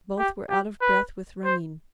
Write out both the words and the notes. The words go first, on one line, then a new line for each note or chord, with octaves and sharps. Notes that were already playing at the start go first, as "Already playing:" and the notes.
Both were out of breath with running.
G4
G4
B4
C5